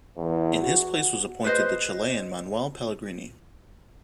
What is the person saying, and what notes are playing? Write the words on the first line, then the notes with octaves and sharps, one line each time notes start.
In his place was appointed the Chilean Manuel Pellegrini.
E2
F#4
B4 C5 D#5